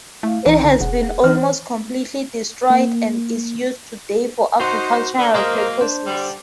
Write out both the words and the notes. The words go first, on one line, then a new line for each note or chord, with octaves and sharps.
It has been almost completely destroyed and is used today for agricultural purposes.
A3 E4 F5
B1 E3 D#4 A#5
D3
E1 G#4 F#5
E3 D4 D#4 F6
C5
A#3
D#4 F#4 C5 F#5
D3
F#3 G#3 A#3 A#4 C5 D#5
D4 C5
D3 G3